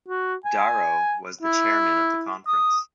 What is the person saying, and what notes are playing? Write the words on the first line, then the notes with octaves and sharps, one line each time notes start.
Darrow was chairman of the conference.
F#4
G#5
E4
D#6